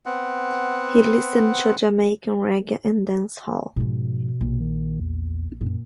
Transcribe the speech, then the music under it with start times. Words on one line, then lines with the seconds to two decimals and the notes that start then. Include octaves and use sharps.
He listened to Jamaican reggae and dancehall.
0.06 B3 C4 F#5
3.76 G#2 B2 F3
4.41 A#1
4.60 D#3
5.00 E2
5.61 F#2 A#2